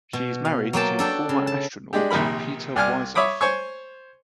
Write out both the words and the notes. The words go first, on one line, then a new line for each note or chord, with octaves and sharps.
She is married to former astronaut Peter Wisoff.
B2
F5
F#3 A#3 G5 A5
D4 A4 G5
C#3
A5
G#3 D4 G4
A#1 C3 D#3 A#4 B5
C2 D5 G#5 D6 F6
C#5 E5 B5 D6 D#6
C5 C#5 G#5 C#6